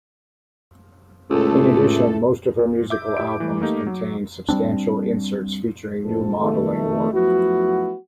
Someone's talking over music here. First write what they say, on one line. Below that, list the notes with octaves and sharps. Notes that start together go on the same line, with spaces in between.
In addition, most of her musical albums contain substantial inserts featuring new modelling work.
C#2 A2 A3 A4
A#2
E5 D6 G6
A2 E4 G4 E5 D7
E3 G3 A3
A3 A#3 D#4 G4
F#3
G3 B3 C4 D4
A#1 F2 A4
F2 B2 D#3 G#3 A3
F3 F#3 A3 B3 E4 F#4